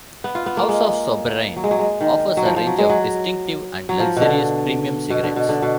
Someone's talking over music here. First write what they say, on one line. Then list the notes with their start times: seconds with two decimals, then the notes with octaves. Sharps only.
House of Sobranie offers a range of distinctive and luxurious premium cigarettes.
0.24 B3
0.35 F4
0.46 B3
0.57 A#3
0.69 G#3
1.57 F#3
1.64 G#3
1.71 F#3
1.79 G#3
2.01 D#3
2.37 F#3
2.45 F3
2.56 F3
2.67 F#3
2.78 G#3
2.89 F#3
3.89 F#3
4.00 F3
4.17 B2
4.22 D3
5.10 B2
5.24 D3
5.36 B2
5.49 D3
5.62 B2